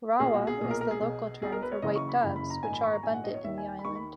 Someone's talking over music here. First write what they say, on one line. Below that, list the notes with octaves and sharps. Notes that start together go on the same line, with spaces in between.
"Rawa" is the local term for white doves, which are abundant in the island.
B1 A#2 G#4
F#4
G#4
B1 A#2 G#4
A#4
A#4
G#4
B1 B2
B1 B2 G#4
A#4
B4
C#5
F#1 F#2 C#3 E3 D#5
C#6
B5
F#1 F#2 C#3 E3 B5
B5
A#5
A#1 G#2 D#3 G#5
B5
C#6
A#5
A#1 G#2 D#3 G#5
F#5
D#5
C#5
D#2 D#3 E5
G#5
B5
D#2 D#3 C#6
B5